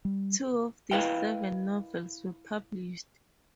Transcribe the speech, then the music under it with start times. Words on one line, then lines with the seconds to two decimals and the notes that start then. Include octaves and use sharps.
Two of these seven novels were published.
0.05 G3
0.91 E4 A#4 B4 D#5 F5 G5